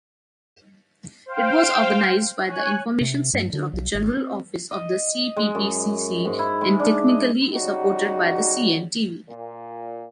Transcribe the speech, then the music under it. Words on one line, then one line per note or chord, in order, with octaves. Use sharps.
It was organized by the Information Center of the General Office of the CPPCC and technically supported by the CNTV.
C5 F5 G5
C#5 G#5 F#6
C3
G2
D3
B1
G#1
C4
D#5
G#3
F#2
G#2
E4
G#3
D4
D#5
C#3 F#3 G3 D#4 F#4
A#2